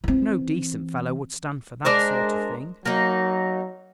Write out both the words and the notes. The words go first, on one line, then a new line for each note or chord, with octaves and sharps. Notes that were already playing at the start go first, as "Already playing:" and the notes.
No decent fellow would stand for that sort of thing.
E3 C4
G#3 D4 A#4 C5
F#3 A#3 D#4